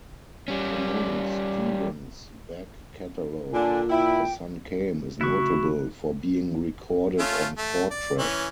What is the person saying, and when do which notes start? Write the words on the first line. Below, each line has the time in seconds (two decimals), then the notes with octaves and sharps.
Among Stevens' back catalog, "A Sun Came" is notable for being recorded on four-track.
0.48 G3 C#4
3.53 A#2 D3 D4 G#5
3.89 E4 G5
5.21 C#3 A3 E4 F#4 C#6 F#6
7.19 A3 C#4 F4
7.58 A3
7.91 D5
8.19 E3 C#4